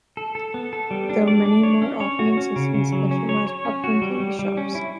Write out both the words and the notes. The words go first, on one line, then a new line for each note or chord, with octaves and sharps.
Though many more often exist in specialized popcorn candy shops.
A4
A4
B3
A4
G3
D4
D5
D4
C#5
C#4
C#5
F#4
C#4
C#3
C#3
F#3
C#4
C#5
C#5
C#4
F#4
G3
G3
G3
C#4
E4